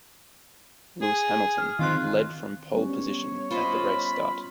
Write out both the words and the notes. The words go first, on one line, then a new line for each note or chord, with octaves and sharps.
Lewis Hamilton led from pole position at the race start.
G#4
F6
D#3 C4 F4 F#6
G3 B3 C#4 C#5
F4 C5 D#5 B5